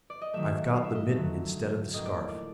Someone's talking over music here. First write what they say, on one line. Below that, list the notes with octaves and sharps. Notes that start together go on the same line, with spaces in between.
I've got the mitten instead of the scarf.
D5
D#5
D#3 F#3 A3 E5
F5
E5
D#5
E5
D3 F#3 A3
A2 F3 A#3 D#5
D5
D5